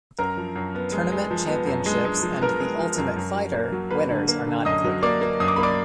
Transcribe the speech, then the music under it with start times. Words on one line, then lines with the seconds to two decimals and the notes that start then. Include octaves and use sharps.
Tournament championships and The Ultimate Fighter winners are not included.
0.18 F#2 A#4 A#5
0.37 F3
0.55 F#2
0.75 B3
0.92 G#3
1.12 G#3
1.31 F3
1.48 B3
1.67 F#2
1.86 G#3
2.05 G#3
2.23 F3
2.41 B3 A#4 A#5
2.60 G#3
2.79 F3
2.98 F#2
3.16 F#2
3.35 F#3
3.53 A#3
3.72 F#3
3.91 A#3 B4 B5
4.10 D3
4.28 A#3
4.47 D3
4.65 F#2 D#5 D#6
4.84 F#3
5.03 A#3 D5 D6
5.21 A#3
5.40 F#2 D#6
5.48 D6
5.56 A#3 B5
5.63 D5 D6